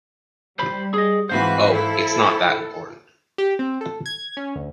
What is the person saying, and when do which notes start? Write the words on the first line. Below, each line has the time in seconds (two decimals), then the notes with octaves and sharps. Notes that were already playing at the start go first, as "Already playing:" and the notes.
Oh, it’s not that important.
0.59 G3 C5 B5
0.94 G#4 D#5
1.29 G#2 E3 C4 F#4 B4 C5 F5
1.72 E4 A4
3.38 G4
3.59 C4
3.81 A4
4.06 G#6
4.37 C#4
4.55 D2